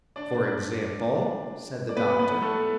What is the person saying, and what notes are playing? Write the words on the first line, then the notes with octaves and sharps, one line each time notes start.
"For example?" said the Doctor.
D4 D5
D5
B3 B4
B3 B4
A3 A4